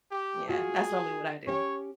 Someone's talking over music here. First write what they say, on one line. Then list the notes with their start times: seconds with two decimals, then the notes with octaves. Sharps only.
Yeah. That's normally what I do.
0.11 G4
0.49 F4 F#4 G#4
1.47 C#4 G4 C#5